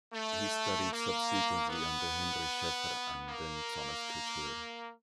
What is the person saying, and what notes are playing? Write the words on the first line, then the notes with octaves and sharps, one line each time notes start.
He studied subsequently under Henri Scheffer and then Thomas Couture.
A3
A#3
B3
A#3